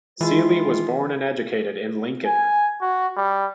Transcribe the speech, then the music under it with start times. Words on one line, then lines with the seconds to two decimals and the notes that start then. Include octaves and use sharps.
Seely was born and educated in Lincoln.
0.21 D#3 E3 G#3 E4 F4 G#5
2.26 G#5
2.82 F#4
3.17 G3